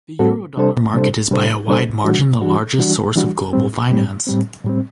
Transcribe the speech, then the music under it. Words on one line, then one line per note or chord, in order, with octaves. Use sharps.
The Eurodollar market is by a wide margin the largest source of global finance.
A2 G3 C4 F#4 A4
C3 G3 D4 A4 C5
C3 G3 D4 A4 C5
C3 G3 D4 A4 C5
C3 G3 D4 A4 C5
E3 G3 D4 F#4
E3 G3 D4 F#4
E3 G3 D4 F#4
E3 G3 D4 F#4
A2 G3 C4
A2 G3 C4
A2 G3 C4
A2 G3 C4